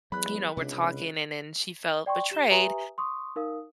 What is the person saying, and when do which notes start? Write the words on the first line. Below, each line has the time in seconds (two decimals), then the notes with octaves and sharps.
you know, were talking and then she felt betrayed
0.12 E2 F#3 B5 F#6
0.57 C#2 C3 D4
2.06 D5 G5 C6 C#6
2.31 G4 E7 G7
2.50 G4 B4 E5 G#5 A#5 D#6
2.98 C6 C#6 D#6
3.36 D#4 A#4 F5 D#6